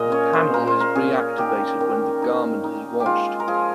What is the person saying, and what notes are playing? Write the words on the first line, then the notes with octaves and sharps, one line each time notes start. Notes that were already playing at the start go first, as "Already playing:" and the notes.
The panel is reactivated when the garment is washed.
Already playing: A#2 G#4 A#4 D#5
C#4 C#5
C5
A#2 A#4
C5
A#4
C#4 G#4
D#3 G4
D#3
D#4
D#4
G4
G#3 F4
A#4
F3 G#4